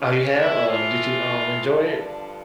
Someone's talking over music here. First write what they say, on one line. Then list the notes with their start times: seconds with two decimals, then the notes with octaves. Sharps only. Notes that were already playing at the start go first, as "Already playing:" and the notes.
oh, you have? Uh, did you, um, enjoy it?
Already playing: E2 C#3 E3 C#4
0.37 A2 E3 E4
0.68 F4
1.62 G2 D3 F3 E4
1.94 D4